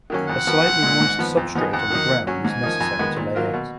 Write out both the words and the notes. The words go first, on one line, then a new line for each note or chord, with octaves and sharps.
A slightly moist substrate on the ground is necessary to lay eggs.
D#3 F#3 A#3 C#4
F2 F#5
F3 B3 F#4 A#4
B1
A#2 G#3
G#2
F3 B3
F2
F3 B3 D#4 G#4
F2 F#5
D#3 F#3 A#3 D#4
A#2
F#3 C#4
G#2 G#5
F3 A#3 D#4
F2
D#3 G#3 B3
A#2
F#3 A#3 F4 A#4
B2